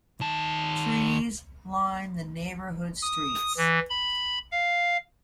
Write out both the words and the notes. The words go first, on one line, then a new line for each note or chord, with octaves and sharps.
Trees line the neighborhood streets.
D#3 A5
D#6
E3
B5
F5